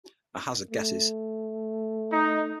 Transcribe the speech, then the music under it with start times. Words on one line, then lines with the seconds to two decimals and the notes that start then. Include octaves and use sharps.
I hazard guesses.
0.71 A3
2.13 D#4